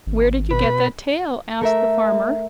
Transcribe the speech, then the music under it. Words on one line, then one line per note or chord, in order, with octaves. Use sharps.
"Where did you get that tail?" asked the farmer.
G#1
B2 B4 B5
A3 A#4 E5